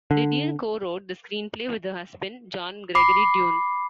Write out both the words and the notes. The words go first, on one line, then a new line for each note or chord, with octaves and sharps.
Didion co-wrote the screenplay with her husband, John Gregory Dunne.
D3
B5 D6 C7